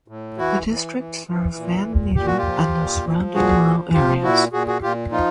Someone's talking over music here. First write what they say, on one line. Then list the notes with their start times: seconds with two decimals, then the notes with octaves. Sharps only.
The district serves Van Meter and the surrounding rural areas.
0.08 A2
0.38 E3 E4 F#4
0.67 E3
0.98 E3
1.27 E3
1.56 A#2
1.86 A#2
2.15 A#2 G4
2.26 F#4
2.38 F4 G4
2.45 F3
2.75 A#2
3.05 F3
3.34 A#2 F#4 G#4
3.64 F3
3.93 F3 F4 G4
4.22 A#2 E4 F#4
4.52 A#2 F#4 G#4
4.67 F#4 G#4
4.82 A#2 F4 G4
5.12 F3 D#4 F4